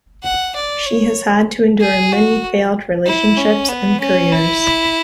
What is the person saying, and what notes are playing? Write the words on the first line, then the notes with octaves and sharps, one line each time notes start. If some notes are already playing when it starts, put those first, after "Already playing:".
She has had to endure many failed relationships and careers.
F#5
D5
C#5
G#4
F#4
E4
C#4
B3
C#4
E4